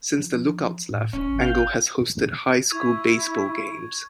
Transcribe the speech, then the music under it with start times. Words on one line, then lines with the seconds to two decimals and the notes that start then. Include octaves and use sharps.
Since the Lookouts left, Engel has hosted high school baseball games.
0.19 F3
0.90 A2
1.13 D#1 C#4
1.29 G#1
1.42 F5 G5
2.72 E4 C#6 G#6 F7